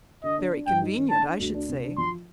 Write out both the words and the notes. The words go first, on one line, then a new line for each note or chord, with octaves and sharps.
'Very convenient, I should say.'
D3 D#5
D4
D4
G2 G5
D#4
D#3
D4 A5
D4
D2
D4
C3
D4
F3 C6